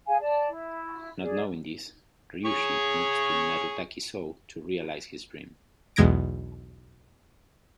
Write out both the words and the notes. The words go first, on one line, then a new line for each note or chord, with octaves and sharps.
Not knowing this, Ryushi moves to Narutaki-Sou to realize his dream.
G#4 F5 G#5
D5 A5
E4
G#4 D5
G#4 C#5 C#6
B1 E2 G#3 G#6 A#6 D7